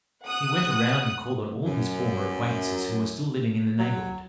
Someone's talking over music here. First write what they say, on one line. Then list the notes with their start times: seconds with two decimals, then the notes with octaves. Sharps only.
He went around and called on all his former acquaintances who were still living in the neighborhood.
0.24 F#5 D#6 F#6
1.65 F#2
3.79 F#3